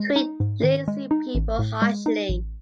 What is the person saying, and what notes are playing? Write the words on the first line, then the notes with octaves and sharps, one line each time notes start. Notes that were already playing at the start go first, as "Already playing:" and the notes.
Treat lazy people harshly.
Already playing: G#3
D#4
G#2
D#3
G#3
D#4
A1
A2
G#3
D#4
A1